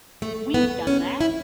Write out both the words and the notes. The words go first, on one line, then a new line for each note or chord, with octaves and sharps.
We've done that.
A3
B3
C#4
E4